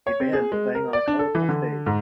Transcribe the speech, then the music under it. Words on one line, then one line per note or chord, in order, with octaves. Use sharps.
A band playing on a colorful stage.
C#5
C4
G#4
G#3
A#4
D5
D4
A4
E3
D3
G#2